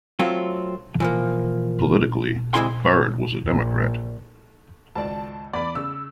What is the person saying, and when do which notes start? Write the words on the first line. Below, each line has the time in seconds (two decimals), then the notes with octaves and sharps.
Politically, Bard was a Democrat.
0.19 F#3 A3 C4 F4
1.00 E3 F3 A#3
2.54 D2 C3 G#3 E4 G#5 C6
3.49 A#1
4.95 G#1 C#2 D5 A5
5.53 E2 D5 B5
5.75 C#3 E6